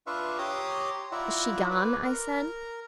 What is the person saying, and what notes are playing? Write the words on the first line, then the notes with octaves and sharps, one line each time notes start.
'Is she gone?' I said.
D4 F4 B4 E5 F5 C#6
G4 C#5 A#5 C6 D6 D#6
E4 F4 D5 E5 F#5 A#5
B4 D5
A#4 A#5